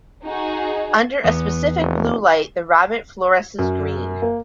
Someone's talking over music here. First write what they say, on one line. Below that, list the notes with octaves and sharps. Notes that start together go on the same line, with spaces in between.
Under a specific blue light, the rabbit fluoresces green.
D#4 F#4 G#4
E2 B3
F1
F#2
A#3